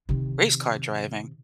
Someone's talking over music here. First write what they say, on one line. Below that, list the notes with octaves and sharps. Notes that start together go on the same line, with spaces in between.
race car driving
C3 D#3